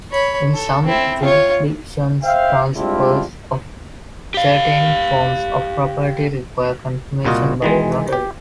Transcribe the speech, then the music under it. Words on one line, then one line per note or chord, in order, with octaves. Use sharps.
In some jurisdictions, transfers of certain forms of property require confirmation by a notary.
C#5 B5
A4
C4 E4
F4 C#5
C5 E5 F5 G5
G3 G#3 C4 D4 E4 F4
G4 F5
C2 A#2 F4 F#4 D#5
D#3 E3 G#3
G4